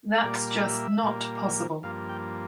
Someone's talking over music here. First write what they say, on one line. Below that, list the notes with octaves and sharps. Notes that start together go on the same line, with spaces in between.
That's just not possible.
A#2 G3 A#3 D5
E5
A#2 G3 A#3
G2 F3 A#3 F5
G5